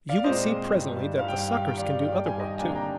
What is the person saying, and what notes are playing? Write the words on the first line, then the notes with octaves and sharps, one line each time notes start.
You will see presently that the suckers can do other work too.
D5 F5
A#2 G#3 C4 C5 D#5
G2 D#3 G3
G2 D#3 G3 F5
G5
F5
G5
F5
G2 D#3 G3 G5
D5 F5
G2 D#3 G3 G5
G#5
D#5 G5
D2 C3 D#3 A#3 D4 F5 G#5
G5 A#5